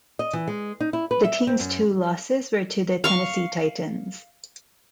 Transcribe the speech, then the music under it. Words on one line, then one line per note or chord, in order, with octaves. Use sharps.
The team's two losses were to the Tennessee Titans.
D#5
E3
G#3
D#4
E4
B4
E5
C4
F#2
F5 C#6